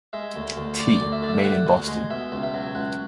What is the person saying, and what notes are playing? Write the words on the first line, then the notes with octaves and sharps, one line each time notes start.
T. Main in Boston.
G#3 E5
D2
D2
D2 D5
D5
D2
E5
D3 D5
E5
D3 F#5
D2
G#3
B2 E5
C#2
E5
F#3
C#2 F#5